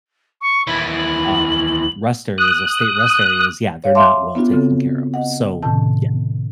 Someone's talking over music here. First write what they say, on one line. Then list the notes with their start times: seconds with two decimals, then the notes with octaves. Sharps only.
uh, rest areas or state rest areas, yeah, they're not well taken care of. So, yeah,
0.41 C#6
0.67 D#2 E3 B5
0.96 F#7
2.38 D#6 F#6
3.84 C#5 F5
3.95 E5 F5 A5 C6 D6
4.35 B3 C#4 D4 F4 F#4
4.50 C#3 C4 A4
5.14 D#5 F#5
5.63 A2 C3 D#3 C#4 A5